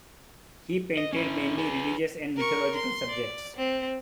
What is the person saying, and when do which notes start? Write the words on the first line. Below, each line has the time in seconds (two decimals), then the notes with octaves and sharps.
He painted mainly religious and mythological subjects.
0.97 D#5
1.13 C#4 E4
1.58 G#4 B4
2.37 A#4 C#6
2.75 C6
3.09 D5
3.56 C4